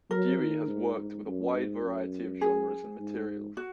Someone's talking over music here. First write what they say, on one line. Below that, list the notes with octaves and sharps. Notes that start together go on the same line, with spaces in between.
Dewey has worked with a wide variety of genres and materials.
F#3 A#4
D#3
G#2
G#2
F#2
G#2
F#2
G#4
G#2
F#4